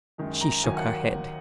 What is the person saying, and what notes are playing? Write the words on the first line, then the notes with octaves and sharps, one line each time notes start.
She shook her head.
F#2 D#3 G#3
A#5
D#2 D#3 F#3 A#3 G#5
F#5